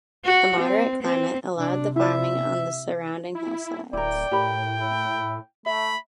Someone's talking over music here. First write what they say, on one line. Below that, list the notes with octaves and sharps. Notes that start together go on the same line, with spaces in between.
The moderate climate allowed the farming on the surrounding hillsides.
F#4
C4
C4
C3 D4
E4 D5 E5
E4
D1 E4 A#4 D5 G5
A2 G4 A#4 B5
E4
A3 E5 B5